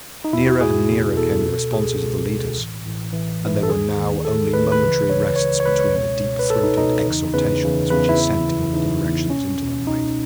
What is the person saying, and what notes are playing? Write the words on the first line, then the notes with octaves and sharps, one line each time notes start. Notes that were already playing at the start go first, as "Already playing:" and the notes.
Nearer and nearer came the responses of the leaders, and there were now only momentary rests between the deep-throated exhortations which he sent in all directions into the night.
D#4
E2 B2 E4
F#4
E2 B2 G#4
E2 B2
E2 B2 A4
C#2 B2
C#2 B2 G#4
C#2 B2
C#2 B2
A1 A2 E3
A1 A2 E3
A1 A2 E3
A1 A2 E3
A4
D#2 D#3 G#4
D#2 D#3
D#2 D#3 A4
D#2 D#3 B4
B4
C#2 C#3 E3
C#2 C#3 E3 C#5
C#2 C#3 E3 C#5
C#5
C#2 C#3 E3 B4
C#5
C#2 B2
C#2 B2
B4
C#2 B2 A4
D#4
C#2 B2 D#4
E2 C#3 E3
E2 C#3 E3 B4
E2 C#3 E3
E2 C#3 E3 B4
E4
E2 C#3 E3
E2 C#3 E3
E2 C#3 E3 D#4
E2 C#3 E3
C#2 B2 C#4
C#2 B2
C#2 B2 D#4